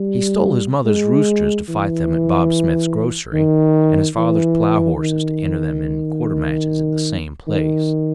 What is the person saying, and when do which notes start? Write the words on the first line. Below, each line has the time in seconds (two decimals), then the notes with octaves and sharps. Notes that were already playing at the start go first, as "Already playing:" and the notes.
He stole his mother's roosters to fight them at Bob Smith's grocery, and his father's plow-horses to enter them in "quarter" matches at the same place.
Already playing: G3
0.85 G#3
1.69 E3
3.33 D#3
4.17 E3
4.98 D#3
7.47 D#3